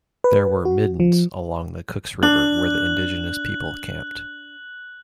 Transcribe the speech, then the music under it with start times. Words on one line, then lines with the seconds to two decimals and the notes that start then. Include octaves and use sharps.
There were middens along the Cooks River where the indigenous people camped.
0.24 B4
0.65 F#4
1.00 F3
2.23 D4 F#6 F#7